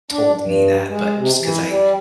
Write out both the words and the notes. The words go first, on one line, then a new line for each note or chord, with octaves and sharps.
told me that, but just 'cause I
D4
G2
G#3
C3
E3
G3